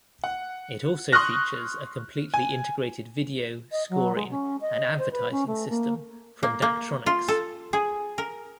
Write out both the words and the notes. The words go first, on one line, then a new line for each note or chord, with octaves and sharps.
It also features a completely integrated video, scoring and advertising system from Daktronics.
F#5
C6 C#6 D#6 F6 F#6 A#6
G#5
D#5
F#3
G#3
C#4
D#5
C5
B4
C#4
A3
A#3
A#3
A#3
F4
A4
G#4
A#4